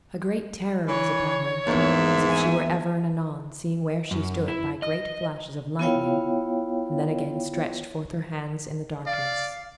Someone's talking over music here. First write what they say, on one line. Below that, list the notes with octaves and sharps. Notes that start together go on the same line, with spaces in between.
A great terror was upon her, as if she were ever and anon seeing where she stood by great flashes of lightning, and then again stretched forth her hands in the darkness.
E3 C#5
A#1 E2 G#2 E5
G#5
F#2
E4
D#5
B3 E4 F4 C#5 F5 G5
D5 F5